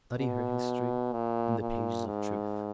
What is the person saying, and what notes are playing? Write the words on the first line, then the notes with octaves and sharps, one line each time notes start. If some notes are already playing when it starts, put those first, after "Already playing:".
Study her history in the pages of truth.
B2
A#2
A#2
G#2